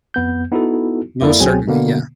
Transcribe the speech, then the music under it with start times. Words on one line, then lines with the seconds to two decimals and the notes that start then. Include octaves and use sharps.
Most certainly, yeah.
0.14 F2 B3 G6
0.51 B3 D#4 E4 F#4 A4
1.21 F2 A#3 E4 A4 D5
1.40 C#2 B2 F#3 C4 G#4 G#5
1.67 B2 D3 A#3 B3